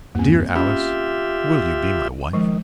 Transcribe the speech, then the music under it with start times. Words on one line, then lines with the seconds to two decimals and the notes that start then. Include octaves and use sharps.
Dear Alice, will you be my wife?
0.15 E2 G2 A#3 C4
0.55 C#4 F4 G4 E5 B5
2.33 D#3 F3 G#3